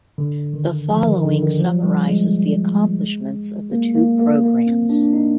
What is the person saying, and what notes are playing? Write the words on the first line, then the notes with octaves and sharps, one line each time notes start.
The following summarizes the accomplishments of the two programs.
D3
D#3
F3
D#3
D3
D#3
F3
G3
G#3
A#3
A#3
A#3
A#3
C4
D4
D4
D#4